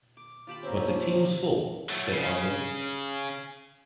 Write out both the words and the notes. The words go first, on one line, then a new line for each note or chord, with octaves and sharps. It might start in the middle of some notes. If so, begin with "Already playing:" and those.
"But the team's full," said Arlo.
D6
F4 G4 A5 B5
A#3 C4 C#4
F3 F4
C3
F#3 A3
C#3